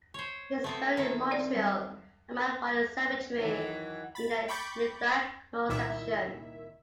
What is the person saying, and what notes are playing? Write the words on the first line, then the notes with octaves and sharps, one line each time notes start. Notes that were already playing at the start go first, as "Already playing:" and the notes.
He is buried in Montreal, at Mount Royal Cemetery in the Lilac Knoll section.
C5 C#5
A3 B3 C4
D#3 E4
C4 D5
G3
D#3 E3 F#3
B5 A6
G5 B5 C#6 D6 G6 A6
C2 A#2 D#3 E4 E5